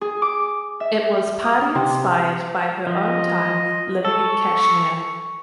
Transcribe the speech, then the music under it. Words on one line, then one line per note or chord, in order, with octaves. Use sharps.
It was party inspired by her own time living in Kashmir.
G#4
D6
E5
D#6
C3
F3 D#5
A4 C#6